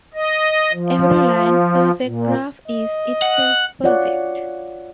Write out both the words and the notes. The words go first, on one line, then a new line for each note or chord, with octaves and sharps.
Every line perfect graph is itself perfect.
D#5
F3
A#2
D#5
F#5
F4 C#5 D5 F#5